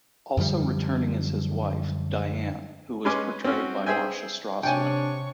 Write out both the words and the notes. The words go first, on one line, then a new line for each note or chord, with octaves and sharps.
Also returning is his wife, Diane, who is portrayed by Marcia Strassman.
F#2 D3 F3 G3
G#3 C#4 B4 G#5 C6 D6
C4 C#4 F#4
G#4 C5 E5 G5 G#5
C3 D4 C#5 G5 G#5 C#6